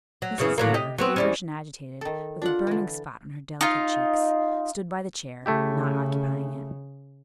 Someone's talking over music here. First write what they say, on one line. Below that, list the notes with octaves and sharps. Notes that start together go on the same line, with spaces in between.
Mrs. Hare, feverish and agitated, with a burning spot on her delicate cheeks, stood by the chair, not occupying it.
F#3
F#2 C#3 E3
A2 F#3 A#3
C3 G4 D#5
F#3 B3 C4
E2 G3 C#4
D#3 A4
D4 F4 F#5
D3 E3
D#4 F4
C#3 A3 E4 G4